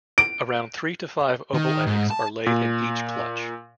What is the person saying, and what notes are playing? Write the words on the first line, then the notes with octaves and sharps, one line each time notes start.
Around three to five oval eggs are laid in each clutch.
D7
D#3
G#2
A5
A#2